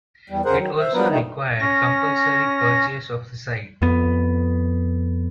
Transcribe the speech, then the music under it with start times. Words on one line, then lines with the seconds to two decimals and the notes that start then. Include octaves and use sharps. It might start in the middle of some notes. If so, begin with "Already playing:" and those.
It also required compulsory purchase of the site.
0.30 E2 G3
0.45 E2 C#3 G#4 A#4 C5 F#5
0.57 D#3 F#3
0.79 C5 E5
0.93 F3 F#3 B3 D4 A#4 B4
1.10 A#2 D3 D#3 G3 A3 D#4
1.60 C#4 A#6
3.82 F2 B3